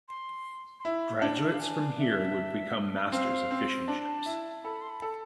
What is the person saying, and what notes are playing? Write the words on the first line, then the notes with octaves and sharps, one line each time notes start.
Graduates from here would become masters of fishing-ships.
C6
C6
E4 B5
D4 A5
D5
E5
F5
G#5
E5
C4 F5
C4
D4 A5
E4
A4 B5
C6
B5
A4